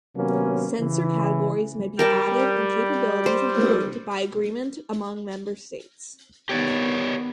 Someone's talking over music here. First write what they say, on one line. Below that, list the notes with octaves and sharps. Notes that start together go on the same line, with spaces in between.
Sensor categories may be added and capabilities improved by agreement among member states.
C3 D#3 F#3 A#3 B3 C#4
C#3 E3
G3 A#4 G5 A5
C5
D#3 B3 G4 C#5 D5